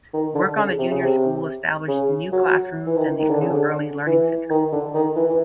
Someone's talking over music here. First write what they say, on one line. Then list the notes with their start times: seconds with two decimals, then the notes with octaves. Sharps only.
Work on the junior school established new classrooms and the new Early Learning Centre.
0.13 D#3
0.35 D3
0.56 C#3
0.78 C3
0.90 C#3
1.01 C3
1.88 C#3
2.32 F#3
2.87 E3
2.97 D#3
3.19 D#3
3.30 D3
3.41 C#3
3.52 D3
4.06 E3
4.50 D#3
4.72 D3
4.94 D#3
5.16 E3
5.29 E3